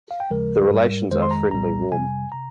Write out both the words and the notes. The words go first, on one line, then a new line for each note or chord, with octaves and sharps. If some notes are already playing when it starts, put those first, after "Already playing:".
The relations are friendly warm.
F5
G5
D#2 C#3 F3 G#3 A#4
G#2 G3
F2 D#3 G#3 C5
C6
A#5
C2 A#2 G3 A#5
F2 C3 G3 G#5
C3 A#5